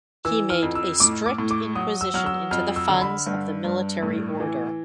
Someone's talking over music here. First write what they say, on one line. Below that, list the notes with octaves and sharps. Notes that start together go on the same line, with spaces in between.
He made a strict inquisition into the funds of the military order.
E3 E6
F6
F2
E6
A2 D6
D6
A2
D6
F#3 D#6
E6
F#3 F6
E6
F2 F6
E6
D3
B5
G2
G2
A2
E3